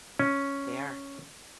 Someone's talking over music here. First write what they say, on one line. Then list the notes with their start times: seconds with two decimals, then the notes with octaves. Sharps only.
They are.
0.19 C#4